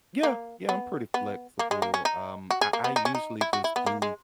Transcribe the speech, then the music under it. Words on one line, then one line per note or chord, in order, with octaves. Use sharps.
Yeah. Yeah, I'm pretty flexible. Um, I I usually just do
A#3
B3
B3
A#3
G#3
A#3
C#4
D#4
F#4
G#4
A#3
B3
D#4
C#4
D#4
E4
F#4
E4
B3
A#3
G#3